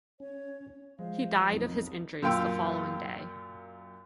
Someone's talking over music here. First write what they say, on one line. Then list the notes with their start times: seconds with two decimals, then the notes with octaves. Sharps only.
He died of his injuries the following day.
0.20 C#4 C#5
0.99 F3 G#3 C5 F5
1.51 B1 F2 D#4 A#4
2.22 F#2 A#2 F5 G5 C6 E6